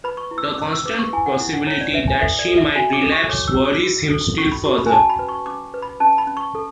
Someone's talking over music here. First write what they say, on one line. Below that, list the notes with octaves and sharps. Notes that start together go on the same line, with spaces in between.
The constant possibility that she might relapse worries him still further.
B4 B5
C#6
E4
E6
D6
C#4 D6
E6
B4 D6
C#6
E4 G#5
F#5
E4
F#5
E4 C#5
D5
B4 E5
G#5
A4 E5
D5
A4
E5
F#4 G#5
D6
A4
C#6
C#5 D6
E6
F#4
D6
F#4
A4
C#4 C#6
B5
F#4 C#6
B5
G#5
C#4 A5
B5
B4
C#6
C#4 D6
B4
B5
C#4 A5
B5
C#4
C#6
A4